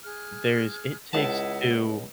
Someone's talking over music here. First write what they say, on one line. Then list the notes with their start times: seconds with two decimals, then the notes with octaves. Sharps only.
There's, It Takes Two.
0.04 G#4 F6 F#6
1.13 C#2 E4 D#5 F#5 A5